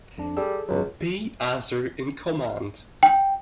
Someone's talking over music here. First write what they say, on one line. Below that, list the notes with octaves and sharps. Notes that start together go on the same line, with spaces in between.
B. Azer in command.
F2 D4
G3 G#4 A4 E6
G1 C#2 F#3
G5